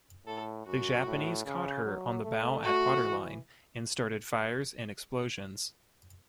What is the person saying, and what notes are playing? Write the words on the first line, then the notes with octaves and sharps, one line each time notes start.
The Japanese caught her on the bow at waterline and started fires and explosions.
A2 A4
F#2 F#4
A2
C#3
F#3
A3
A3 F#4
E3